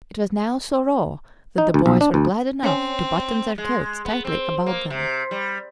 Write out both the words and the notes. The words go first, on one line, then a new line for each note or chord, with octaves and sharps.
It was now so raw that the boys were glad enough to button their coats tightly about them.
D#4
D2
B1
D4
D2
C4 C#4
G#3
B3
C4
A#3
C3
G3